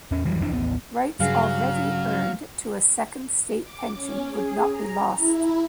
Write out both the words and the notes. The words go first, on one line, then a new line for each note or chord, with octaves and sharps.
Rights already earned to a Second State Pension would not be lost.
E2 C#4
F2 E3 F#3 G3
F#1 F2 E3 D4
A1 D#2 B3
G2 C#3 F#3 F5
D6
C#4
G#4
A#5
E4